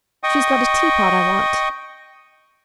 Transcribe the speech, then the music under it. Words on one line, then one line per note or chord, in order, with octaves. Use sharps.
She's got a teapot I want.
D#5 G5 C#6 D#6